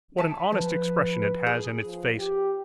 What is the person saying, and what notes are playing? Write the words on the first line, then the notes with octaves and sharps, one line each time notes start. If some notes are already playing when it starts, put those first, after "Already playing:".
What an honest expression it has in its face!
E5 G#5 A5
F3 B4
G#4
F3
G4